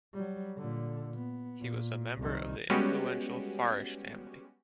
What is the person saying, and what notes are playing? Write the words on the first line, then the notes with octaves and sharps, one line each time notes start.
He was a member of the influential Farish family.
F#3 G3
A#2 D3
B3
A#2
C2 D#3
G3 G#3 B3 C#4 F#4 G4